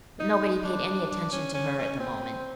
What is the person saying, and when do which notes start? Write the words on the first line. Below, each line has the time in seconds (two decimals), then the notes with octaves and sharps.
But nobody paid any attention to her at the moment.
0.20 D#4
0.65 D4
1.10 D4
1.32 C#4
1.54 C#4
1.78 C#4
2.00 C4